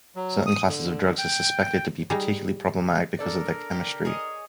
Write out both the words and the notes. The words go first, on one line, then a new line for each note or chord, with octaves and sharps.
Certain classes of drugs are suspected to be particularly problematic because of their chemistry.
F#3
D#6
D3
G5
G3 D#4 G#4 A#5
D4 A4 A#4 D5
G4
G#4 C#5 D#5